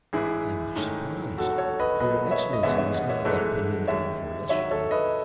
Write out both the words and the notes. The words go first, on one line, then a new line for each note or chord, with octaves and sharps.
"I am much surprised, for your excellency was not of that opinion the day before yesterday."
A1 G#2 E3 E4 G#4
G#2 D#3 A3 C#4
E1 D#2 D#3 F#3 F#4 A4
A4 C#5
B4 D#5
C#2 B2 F#3 B4 D#5
C#5 E5
D#5
E1 D#2 C#3 E3 B3 C#5 E5
C#5 E5
D#5 F#5
C#5 E5
G#2 E3 G#3 A4 C#5
D#2 D#3 G#3 C#5 E5
G#2 D#3 F#3 C#5 E5
A4 C#5
B4 D#5